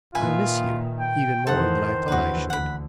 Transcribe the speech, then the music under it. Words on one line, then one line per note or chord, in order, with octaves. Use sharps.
I miss you--even more than I thought I should.
A#2 D#3 F4 B4 E5 G#5
G5
F2 D#3 E3 A4 C5 F#5
D#2 D3 E3 F#4 B4
D2 F#5 B5